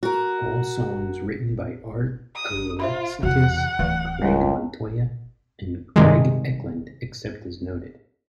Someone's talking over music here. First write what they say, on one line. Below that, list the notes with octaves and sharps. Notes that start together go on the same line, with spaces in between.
All songs written by Art Alexakis, Craig Montoya, and Greg Eklund, except as noted.
F#4 A#4
D#6
F4 C5 E5 B5
E2 C3 F#4 F#5
D1 E3 B4 F5
C#2 G3 A#4
G2 C3 D#3 G#3